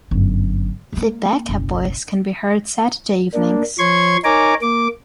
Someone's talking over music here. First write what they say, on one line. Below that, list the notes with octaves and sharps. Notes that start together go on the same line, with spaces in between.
The Baka Boyz can be heard Saturday evenings.
G1 F#2
G#3 A#3
F#1 B1
A#3 D4
F3 C#5 C6 C#6 G#6
D#4 A#4 C#5 G#5 A#5 D6
A#3 D6